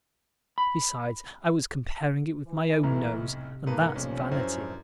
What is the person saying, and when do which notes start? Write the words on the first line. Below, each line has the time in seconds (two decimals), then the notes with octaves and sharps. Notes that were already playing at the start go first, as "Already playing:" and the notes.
Besides, I was comparing it with my own nose and that's vanity.
0.58 B5
2.46 E3
2.83 F1 B1 A2 A#5
3.19 C3
3.66 G#2 A#3 B4 A5
3.96 B1 G2 A#2 F3 C#4
4.31 F#2 E4 C5